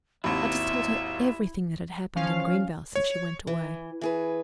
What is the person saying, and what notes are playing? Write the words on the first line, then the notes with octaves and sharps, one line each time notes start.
I just told her everything that had happened in Greenvale since she went away.
G#1 D#2 E4 E5
F3 C#4 F5
C#5
E3
E3 G#4 B4